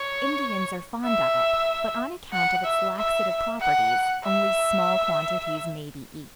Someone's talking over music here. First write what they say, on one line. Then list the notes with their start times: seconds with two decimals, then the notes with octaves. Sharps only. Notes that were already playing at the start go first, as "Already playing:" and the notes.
Indians are fond of it, but on account of its laxative properties only small quantities may be eaten.
Already playing: C#5
1.05 E5
2.33 F#5
2.64 E5
2.97 E5
3.61 F#5
4.24 E5